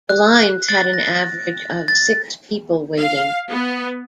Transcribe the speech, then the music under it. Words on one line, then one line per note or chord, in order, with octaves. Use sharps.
The lines had an average of six people waiting.
F#6
A6
A#6
A6
F5
B3